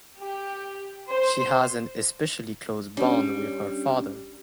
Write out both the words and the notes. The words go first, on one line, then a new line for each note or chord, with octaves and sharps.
She has an especially close bond with her father.
G4
C5
G3 C#4 D4